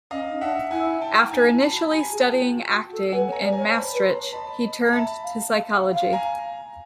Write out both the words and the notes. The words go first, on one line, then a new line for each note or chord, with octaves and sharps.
After initially studying acting in Maastricht, he turned to psychology.
C#4 D#5 F5
D#4
D4 E5 F#5
E4 F#5 G#5
G5 A5
D#4 G#5 A#5
E4
A5 B5
F#4
G4 G#5 A#5
G#4
G5 A5
F4
F#4
F#4
A4
B4 F#5 G#5
C#5
G#5 A#5
D5
C#5 G#5 A#5
C5 A5 B5
B4
A#5 C6
C#5
D#5 A5 B5
D#5
A#5
E5 A5 B5
F5
F5
F#5
F5
G#5 A#5